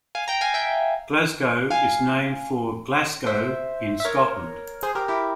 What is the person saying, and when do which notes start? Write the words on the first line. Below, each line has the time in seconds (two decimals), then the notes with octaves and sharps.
Glasco is named for Glasgow, in Scotland.
0.15 F5 G#5
0.28 G5 A#5
0.41 F5 G#5
0.54 E5 G5
1.71 F5 G#5
3.26 C5 E5
4.00 E5
4.05 A#4 C#5
4.83 G#4 C5
4.95 G4 A#4
5.08 E4 G4